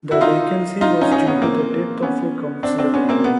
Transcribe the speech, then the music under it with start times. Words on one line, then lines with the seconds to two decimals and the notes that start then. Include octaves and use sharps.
The vacancy was due to the death of a councillor.
0.11 E4 F#4
0.21 D#4 F4
0.81 D#4 F4
1.01 C#4 D#4
1.12 C#4 D#4
1.27 B3 C#4
1.42 A#3 C4
2.02 B3 C#4
2.63 C4 D4
2.78 C4 D4
2.94 B3 C#4
3.09 A#3 C4
3.24 B3